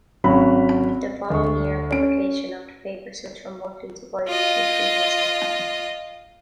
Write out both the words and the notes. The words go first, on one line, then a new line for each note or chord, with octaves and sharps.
The following year, publication of the paper switched from monthly to bi-weekly frequency.
G#1 F#3 C#4 B5
D2 C#6
C#4 D7
F4 D#5